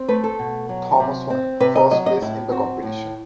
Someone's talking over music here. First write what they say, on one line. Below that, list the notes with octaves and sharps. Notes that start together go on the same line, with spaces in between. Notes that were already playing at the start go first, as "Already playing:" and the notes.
Thomas one first place in the competition.
Already playing: C4
A3 B4
A4
B2
F#3
C3
C4
C3 B4
D#5
F#3 D#5
D#5
A2 E4
C4 F#4
A2